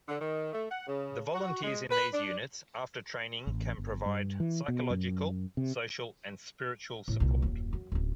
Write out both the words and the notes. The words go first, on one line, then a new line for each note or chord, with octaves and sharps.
The volunteers in these units, after training can provide psychological, social and spiritual support.
D3
D#3
A3
F#5
C#3
F#4
G#3
B4
D4
A1
G1
G2
E3
B2
F#2
C3
A2 E4
C2 A#2
D#1 F#2
F#2
D1 C#4